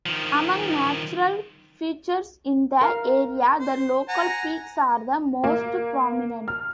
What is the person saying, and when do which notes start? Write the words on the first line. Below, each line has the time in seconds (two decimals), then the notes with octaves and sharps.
Among natural features in the area, the local peaks are the most prominent.
0.06 D#3 F3
2.81 A#4 F5
3.59 C5
4.09 F#5 G#5 A#5
5.44 A#3
6.48 F6